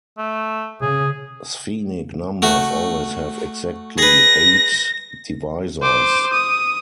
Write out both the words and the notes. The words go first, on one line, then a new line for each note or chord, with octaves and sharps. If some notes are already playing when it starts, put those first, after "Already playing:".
Sphenic numbers always have exactly eight divisors.
A3
C#3 G#4
A3 F#4
G#4 B4 A#6
C5 D6
D#6